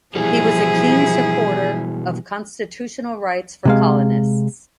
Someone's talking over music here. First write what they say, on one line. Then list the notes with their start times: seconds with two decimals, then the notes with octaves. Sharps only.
He was a keen supporter of constitutional rights for colonists.
0.15 B2 E3 F3 G3 E4 G#4
3.65 C3 G#3 F5